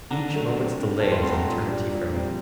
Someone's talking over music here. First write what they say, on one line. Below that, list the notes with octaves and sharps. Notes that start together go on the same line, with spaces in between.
Each moment's delay is an eternity for me.
D3 A#5
F#3 A3 D4
C3
G3 D4
G2 A5
C6
F#3 A3 C4 C6
A#5
A#2
G3 D4
A#2
G3 C4